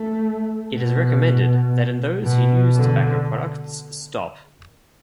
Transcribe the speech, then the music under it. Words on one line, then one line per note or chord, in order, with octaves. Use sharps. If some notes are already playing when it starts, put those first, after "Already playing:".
It is recommended that in those who use tobacco products stop.
Already playing: A3
B2
B2
D3